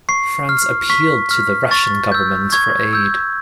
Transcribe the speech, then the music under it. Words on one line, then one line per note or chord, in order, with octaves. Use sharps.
France appealed to the Russian government for aid.
C#6 C7
F6
C#6 B6
F6
C#6 A6
E6 G6
C#6 G#6
E6 G6